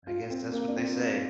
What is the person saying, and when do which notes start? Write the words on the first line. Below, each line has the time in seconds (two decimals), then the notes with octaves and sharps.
I guess that's what they say.
0.07 F4
0.30 C4
0.52 A#3
0.68 D4
0.76 C4